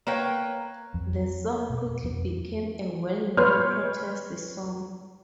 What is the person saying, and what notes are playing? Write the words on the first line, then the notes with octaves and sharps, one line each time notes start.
The song quickly became a well-known protest song.
A#3 B4 C#5 G5
F2
B2
F2
B4 C#5 C6 F6 G6